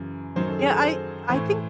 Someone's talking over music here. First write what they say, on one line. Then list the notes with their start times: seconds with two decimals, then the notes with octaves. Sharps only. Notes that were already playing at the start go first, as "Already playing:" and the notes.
Yeah, I I think
Already playing: F#2 C#3 E3
0.36 F#2 D#3 F#3 C5
0.48 A4
0.59 G#4
0.71 A4
0.83 C5
1.30 A2 E3 C5